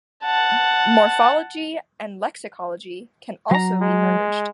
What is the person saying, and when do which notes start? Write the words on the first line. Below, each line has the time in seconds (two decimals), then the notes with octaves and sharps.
Morphology and lexicology can also be merged.
0.24 F#5 A5
3.51 F#3 A#5
3.81 G#3